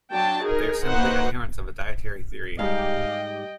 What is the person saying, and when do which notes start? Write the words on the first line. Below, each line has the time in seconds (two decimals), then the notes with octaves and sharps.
They are simply adherents of a dietary theory.
0.13 F#3 D4 G5 A5
0.43 D#4 G#4 A#4
0.88 A#3 D#4 F#4 B4 C5 F#5
2.59 G#2 G3 G4 D#5 F5 G5